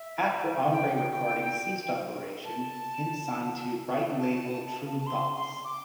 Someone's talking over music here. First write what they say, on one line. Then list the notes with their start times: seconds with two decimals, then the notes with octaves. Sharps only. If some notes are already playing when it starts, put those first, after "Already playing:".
After Hombre Recordings ceased operation, Hint signed to Brighton label Tru Thoughts.
Already playing: E5
0.72 G5
2.45 A5
4.19 A5
5.01 A5
5.07 C6
5.35 C6
5.65 D6